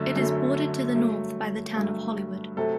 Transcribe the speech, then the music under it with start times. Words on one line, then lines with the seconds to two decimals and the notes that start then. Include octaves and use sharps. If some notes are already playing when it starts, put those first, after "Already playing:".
It is bordered to the north by the town of Hollywood.
Already playing: F#2 D3 F#3 A3 A4
0.16 F#2 D3 F#3 A3
0.95 G2 F#3 A3
1.76 G2 F#3 A3
2.57 C3 F#3 A3 A4